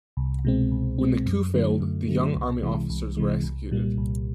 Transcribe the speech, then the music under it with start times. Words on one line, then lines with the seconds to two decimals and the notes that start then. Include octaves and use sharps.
When the coup failed, the young army officers were executed.
0.17 C2
0.45 B2 G#3 C4
0.72 C2
0.98 B2 G#3 C4
1.26 F#2
1.54 D3 F#3 A3
1.80 F#2
2.08 D3 F#3 A3
2.35 C2
2.62 C3 E3 G#3
2.90 C2
3.17 C3 E3 G#3
3.44 C2
3.71 A#2 G3 A#3
3.98 C2